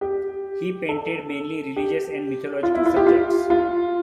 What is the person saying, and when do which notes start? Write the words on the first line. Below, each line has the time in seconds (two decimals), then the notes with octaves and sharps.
He painted mainly religious and mythological subjects.
0.01 G4
0.89 A4
1.76 G4
2.63 F4
2.75 E4
2.86 F4
2.96 G4
3.07 F4
3.50 F4